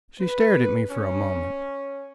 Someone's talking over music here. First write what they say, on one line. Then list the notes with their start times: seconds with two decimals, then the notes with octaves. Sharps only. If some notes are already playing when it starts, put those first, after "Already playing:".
She stared at me for a moment.
0.20 B4
0.89 C#4